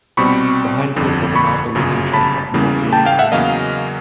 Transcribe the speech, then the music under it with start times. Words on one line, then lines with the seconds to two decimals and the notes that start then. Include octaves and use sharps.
Behind this are the mausoleum chamber and adjoining rooms.
0.17 C2 B2 G3 C4 B5 C#6
0.96 G1 F2 D3
1.36 B5 C#6
1.75 G1 F#2 C#3
2.14 A5 B5
2.54 E2 C#3 E3 G3 A#3
2.93 G5 A5
3.05 F5 G5
3.19 E5 F#5
3.32 E2 C#3 F#3 A#3 C#4 D#5 F5